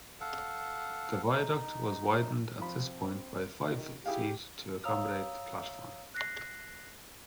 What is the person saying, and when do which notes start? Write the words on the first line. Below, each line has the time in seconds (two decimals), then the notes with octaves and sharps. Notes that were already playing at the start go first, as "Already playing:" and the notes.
The viaduct was widened at this point by five feet to accommodate the platform.
0.21 A4 F5 F#5
1.35 D#4
2.59 F3 C4 B5
3.67 D#3
4.06 E4 G4 G#4 F5
4.85 C#5 F5 A#5 D#6 E6 F7
6.14 F#6 A#6 C7